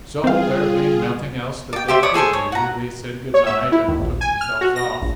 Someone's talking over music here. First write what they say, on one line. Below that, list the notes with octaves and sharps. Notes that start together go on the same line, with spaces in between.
So, there being nothing else that they could do, they said good-night and took themselves off.
G3 C4 F4 G#4 F5
D5 G5
G4 C5 E5
C#5 D5 D#6
G#4 A4 C5 G#5
C#5
F#5 A#5
C#5
E5
E4
D#2
A#1
G#5
F6
F#4
A#6
A#1